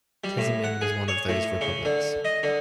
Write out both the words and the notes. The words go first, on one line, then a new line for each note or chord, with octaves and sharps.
Tizimin was one of those republics.
G3
A2
F#5
G#4
C#5
A2
C#3
D3
D#5
D3